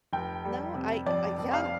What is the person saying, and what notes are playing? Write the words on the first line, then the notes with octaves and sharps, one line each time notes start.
No, I Uh, yeah.
F1 G5
G3
C3
F2 D5
F1
F5